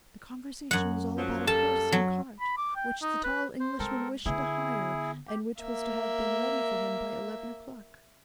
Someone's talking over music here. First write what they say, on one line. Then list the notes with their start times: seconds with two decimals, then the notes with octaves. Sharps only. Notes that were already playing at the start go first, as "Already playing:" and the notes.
"The conversation was all about a horse and cart, which the tall Englishman wished to hire, and which was to have been ready for him by eleven o'clock."
0.71 F#2 F#5
1.18 F3 F#3
1.47 G3 A#3 A4 A5
1.92 F#3
2.40 B5
2.58 D6
2.76 G5
3.02 D#4
3.24 B4
3.60 C5
3.79 G#3 C4 A4 A#4
4.26 D3 B3 E4 G#4
5.28 G4
5.61 A#3 E5